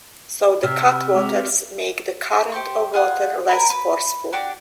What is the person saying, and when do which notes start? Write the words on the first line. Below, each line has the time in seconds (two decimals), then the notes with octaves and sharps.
So the cutwaters make the current of water less forceful.
0.63 C3 E6 F6 B6
1.15 G#3 F#4 D6
2.52 G4 C5 C#6
2.94 F4 G#4 F#5
3.49 A#4 G#5 B5
3.70 B4
4.33 D4 F#4 G4 D5